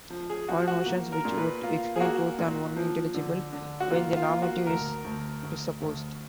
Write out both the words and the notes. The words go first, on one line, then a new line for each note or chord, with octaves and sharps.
All notions which would explain truth are only intelligible when the normative is presupposed.
F3
G#4
F3 F#4
F#4
A#3
A#4
A#2
B4
A#3 F4
G#4
A#3 F#4
A#2
F3
D3
D3
F#4
A#3 F4
F4
A#3
F4
F#4
D2 A#4
D2
D2
D2